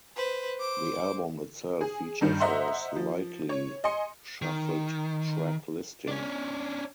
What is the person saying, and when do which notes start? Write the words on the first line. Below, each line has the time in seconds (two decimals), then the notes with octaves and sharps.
The album itself features a slightly shuffled track listing.
0.16 B4 C5
0.59 C5 D6
1.81 G#4
2.21 G2 D#3
2.40 C5 D#5 E5 F#5 A#5 C6
2.96 F3
3.49 C#5
3.84 D#5 G#5 C6 C#7
4.42 D#3
6.08 C#4 D4